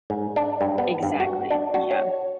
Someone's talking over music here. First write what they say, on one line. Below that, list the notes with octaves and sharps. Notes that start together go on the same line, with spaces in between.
Exactly, yeah.
G#2
D4
G2
B3
G2
F#4
D4
F#4
C#5